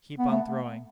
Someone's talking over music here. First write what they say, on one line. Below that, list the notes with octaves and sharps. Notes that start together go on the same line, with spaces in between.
"Keep on throwing."
B3
A3